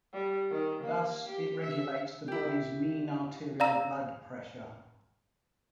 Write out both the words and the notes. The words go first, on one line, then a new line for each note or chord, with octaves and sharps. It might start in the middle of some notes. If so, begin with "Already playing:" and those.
Thus, it regulates the body's mean arterial blood pressure.
G3
D#3
A#3
G4
E5
E4 G4
D5 F5 A#5 E6